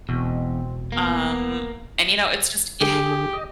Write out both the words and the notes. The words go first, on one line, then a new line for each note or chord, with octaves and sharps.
um, and, you know, it's just it ha
E1 E2 B2 C4
A#3 B3 A#4
D3 G4 G#4
D#5